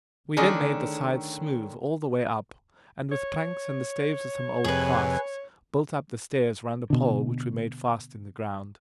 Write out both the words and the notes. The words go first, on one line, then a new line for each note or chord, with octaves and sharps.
We then made the sides smooth all the way up, and with planks and the staves of some old casks, built up the stairs round a pole which we made fast in the ground.
D3 D#3 A3 C#4 D4 G#4
C#5
F2 C3 G#4 B4
B2 D3